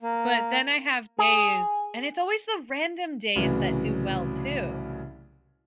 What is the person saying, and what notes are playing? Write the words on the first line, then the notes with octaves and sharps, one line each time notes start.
But then I have days and it's always the random days that do well too.
A#3
G#4
C2 A2 C#3 E3 F#3